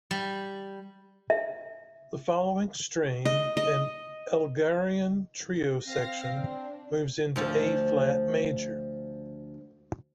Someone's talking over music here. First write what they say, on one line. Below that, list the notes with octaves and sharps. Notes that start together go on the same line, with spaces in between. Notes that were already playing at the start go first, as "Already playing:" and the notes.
The following strain, an Elgarian trio section, moves into A-flat major.
G3
E5
D#5
D#5
C4 F5 A#6
D4
D2 F3